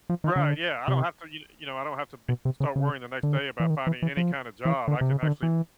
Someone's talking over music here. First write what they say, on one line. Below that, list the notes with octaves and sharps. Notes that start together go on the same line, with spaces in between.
Right, yeah I don't have to you you know, I don't have to be start worrying the next day about finding any kinda job I can actually
F3
D#3
C#3
D3
C3
B2
C3
C#3
C#3
D3
E3
D#3
E3
E3
F3
E3
D3
C3
C#3
D#3
D3
E3